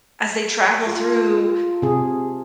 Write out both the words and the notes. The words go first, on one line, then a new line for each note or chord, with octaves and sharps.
as they travel through
F4 A4 A#4
C3 G#4